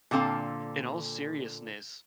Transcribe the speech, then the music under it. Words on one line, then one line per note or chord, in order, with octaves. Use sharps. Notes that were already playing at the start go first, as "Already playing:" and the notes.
in all seriousness,
A#2 D3 C4 A4 F5